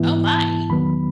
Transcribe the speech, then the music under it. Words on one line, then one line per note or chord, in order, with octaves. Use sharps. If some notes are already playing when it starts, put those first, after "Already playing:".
Oh my!
Already playing: G#2 E3 B3 E4
A5
E2 D#3 F#3 B3 B5